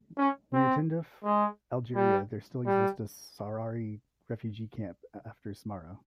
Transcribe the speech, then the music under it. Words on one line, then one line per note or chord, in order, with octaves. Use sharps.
Near Tindouf, Algeria, there still exists a Sahrawi refugee camp named after Smara.
C#4
C4
G#3
G3
G3